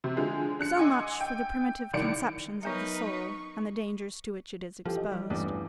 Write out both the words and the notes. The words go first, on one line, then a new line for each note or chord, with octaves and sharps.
SO much for the primitive conceptions of the soul and the dangers to which it is exposed.
C3
D3 F3 G#3 G#4
D4 F#6 C#7
D#5 F#5 G#5 C6 D6 E6
G5
C2 D#3 D5 C#7 D7
F#3 B3 D#4 A#4 B4 E5
C#6
E3 F3 G4 A4
D#5
G3
A1 E2 G2 D6